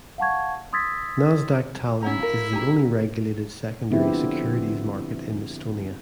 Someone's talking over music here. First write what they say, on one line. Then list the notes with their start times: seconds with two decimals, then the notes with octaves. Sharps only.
Nasdaq Tallinn is the only regulated secondary securities market in Estonia.
0.18 F5 F#5 A5 C#6 G#6
0.73 C6 D#6 E6 G#6 A6 B6
2.03 C#4 E4 F#5 A#5
2.20 F4 A#4
2.53 G4 A#5
3.91 D3 F3 B3 C4 E4 G4